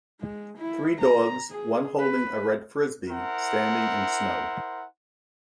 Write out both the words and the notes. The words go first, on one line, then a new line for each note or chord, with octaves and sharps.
Three dogs, one holding a red Frisbee, standing in snow.
G#3
E4
A#5
G#4
B4
E4 A#4 C5 F#5